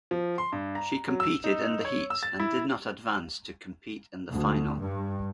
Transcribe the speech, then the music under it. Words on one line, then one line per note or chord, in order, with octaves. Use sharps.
She competed in the heats and did not advance to compete in the final.
F3
C6
G2
A#5
F#3
E6
D#4
C#5
E6
A6
E4
D2
G2